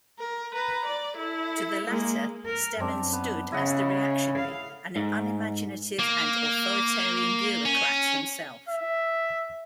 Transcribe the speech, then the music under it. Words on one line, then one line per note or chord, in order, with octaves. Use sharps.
To the latter Stemann stood as the reactionary, an unimaginative and authoritarian bureaucrat himself.
A#4
B4 A#5
D5
E4 A4
G#3 A#3
A#4
F#2 C4 D4
B3
C#3 E4 D#5 F#5
F5
G#2
A#3
C#4
E5